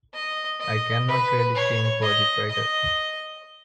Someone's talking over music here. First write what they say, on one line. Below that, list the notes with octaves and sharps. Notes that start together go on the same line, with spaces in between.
I cannot really change for the better.
D#5
D#5
B4
C#5
D#5
D#5